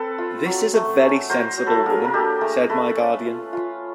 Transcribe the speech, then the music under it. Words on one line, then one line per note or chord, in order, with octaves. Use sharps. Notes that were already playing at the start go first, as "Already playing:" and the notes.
"This is a very sensible woman," said my guardian.
Already playing: C4 A4 B4
F4
F#3
A3
C#4
F#3 A#4 C5
F#3
A4 B4
A#3 G#4 A#4
A#4
D4 G4 A4
A3 G#4 A#4
A3 A4 B4
C#4
F4
F4